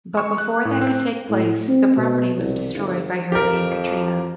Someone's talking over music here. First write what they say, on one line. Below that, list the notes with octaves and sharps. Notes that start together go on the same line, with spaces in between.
But before that could take place, the property was destroyed by Hurricane Katrina.
C#6
F#6
A2
C4
A2
C4
B2
C2
G1
F2 G4 A#4